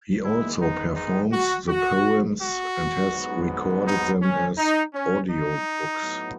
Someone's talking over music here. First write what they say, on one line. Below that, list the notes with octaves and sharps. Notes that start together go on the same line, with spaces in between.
He also performs the poems, and has recorded them as audio books.
G#2 D#3 G#3 B3 E4
D#4
D#4
F#4
F#4
F#4
G#2 F#3 B3
D#4
C#4
D#4
C#4
D#4
A2 F#3 B3